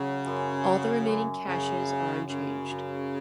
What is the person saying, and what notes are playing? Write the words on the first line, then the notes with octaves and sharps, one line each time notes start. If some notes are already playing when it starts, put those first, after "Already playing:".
All the remaining caches are unchanged.
Already playing: C#3 F#3
F#2
F#3
F#2
F#2 C#3
F#2
F#2 C#3
F#2